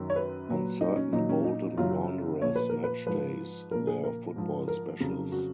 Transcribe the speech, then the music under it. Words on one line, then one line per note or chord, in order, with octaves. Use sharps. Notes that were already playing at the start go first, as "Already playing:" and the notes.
On certain Bolton Wanderers matchdays there are football specials.
Already playing: F#2 D#3 F#3
C#5
B4
A#2 F#3
D#4
C#4
A#2 F#3 D#4
C#4
D#4
F#2 C#3 F#3 F4
A#2 F3 C#5
B4
A#4
B4
G#2 F3 B4
A#2 F3 A#4
G#4
A#4
G#2 F3
A#4
F2 C#3 F#3
F#4